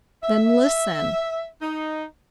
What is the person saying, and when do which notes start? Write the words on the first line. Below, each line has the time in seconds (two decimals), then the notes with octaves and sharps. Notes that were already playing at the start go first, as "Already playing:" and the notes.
"Then, listen!"
0.23 E5
1.62 D#4